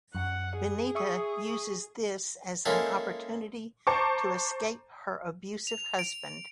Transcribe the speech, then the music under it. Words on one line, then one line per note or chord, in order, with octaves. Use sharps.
Benita uses this as an opportunity to escape her abusive husband.
F#2 F#5
G#4
E5 C#6 D#6
G#3 A#3 C#4 E4 A4 A#4
C5 A5 A#5 C#6 D6
F7
D7